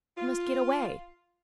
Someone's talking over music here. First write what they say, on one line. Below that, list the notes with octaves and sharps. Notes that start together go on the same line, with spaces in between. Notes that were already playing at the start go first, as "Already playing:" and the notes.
He must get away.
F4